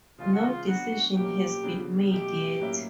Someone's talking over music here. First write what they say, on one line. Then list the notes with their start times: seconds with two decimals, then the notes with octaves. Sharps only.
No decision has been made yet.
0.18 C#3 E3 G#3 C#4 F4
0.32 F#4
0.46 F4
0.67 F#3 B3 D4 F#4
1.15 B2 F#3 A#3 C#4 G4
1.63 C#3 F#3 B3 D4
2.11 B2 F#3 A3 G4
2.60 A2 F#3 A#3 C#4 E4